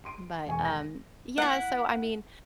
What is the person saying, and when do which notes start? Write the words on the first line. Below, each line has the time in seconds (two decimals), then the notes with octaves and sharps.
But, um, yeah, so, I mean,
0.05 C6 D7
0.47 E1 G#5 C#6
0.65 A#6
1.38 E4 F#5